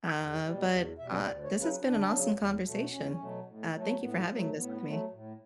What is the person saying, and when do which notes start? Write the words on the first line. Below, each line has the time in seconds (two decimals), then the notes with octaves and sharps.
Uh, but, ah This has been an awesome conversation, uh, thank you for having this with me.
0.16 E2
0.43 B2 G3
0.71 E2 F#4
0.98 B2 G3 E5
1.26 D2 D5
1.43 C#5
1.53 C#3 F#3
1.62 B4
1.80 D2 D4
2.08 C#3 F#3
2.36 E2
2.63 B2 F#3 A3
2.91 E2 C#4
3.18 B2 F#3 A3
3.46 A2
3.74 F#3 A3
4.01 A2 B3
4.28 F#3 A3
4.55 A2 B3
4.83 F#3 A3
5.11 A2